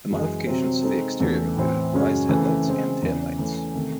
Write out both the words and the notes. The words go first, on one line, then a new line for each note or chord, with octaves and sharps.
The modifications to the exterior included revised headlights and taillights.
F#2 E3 G#3
C3 F#3 C4
G#3 C4 D#4 A4
E2 C#3 E3 A3
A2 E3 C4
F#2 C#3 G#3 C#4 F#4
C#3 E3 A3 C4
C#3 G#3 C4
E2 C#3 E3
E3 A3 C#4
C3 D#3 A3